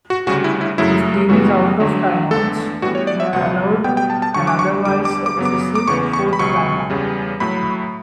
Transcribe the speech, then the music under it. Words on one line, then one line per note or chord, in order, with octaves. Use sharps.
If a team is out of timeouts, they are allowed an otherwise-excessive "fourth timeout".
F#4
D2 C#3 G3 F#4
E4
E4
F#2 C#3 F#3 A3 E4
F#2 C#3 E3 G3 B3 F#4
D2 D3 F#3
E2 D3 A3 A4
A2 E3 G3 B3 F#4
C#5
D5
E5
C#2 B2 F#3 F#5
B2 G3 B3 G5
G5
A5
A5
D2 D3 F#3 C#6
D6
C#6
E2 D3 G3 D6
D6
D6
F#2 C#3 F#3 B3
D6
D6
E2 C#3 E3 B3 C#6
C#6
B5
C#2 B2 F#3 C#6
E2 C#3 G3
A2 F#3 A3 B5